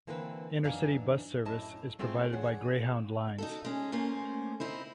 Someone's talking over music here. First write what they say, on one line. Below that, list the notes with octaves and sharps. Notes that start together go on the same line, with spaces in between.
Intercity bus service is provided by Greyhound Lines.
D3 E3 A#3 C4 G4 B4
F#2 E3 D4 D#4 F5 G#5
F#2 A2 E4 D#5 A5
G#3 A3 C4 E4 F4 G#4
E2 D4 G#4 C#5 F#5
D#4 F#4 A4
G#3 C#4
A3 A#3 C#4 C5
C4 D#4 E4 C5